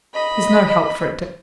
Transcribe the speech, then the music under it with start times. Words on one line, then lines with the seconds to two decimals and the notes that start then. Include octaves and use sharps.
There's no help for it, Dick.
0.14 D#5 B5